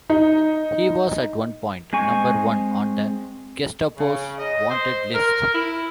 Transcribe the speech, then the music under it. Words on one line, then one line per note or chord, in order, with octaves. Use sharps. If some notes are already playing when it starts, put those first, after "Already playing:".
He was, at one point, number one on the Gestapo's wanted list.
D#4
G#3 C4 G#5 C#6
C#3
D#5
C5
A#4
E4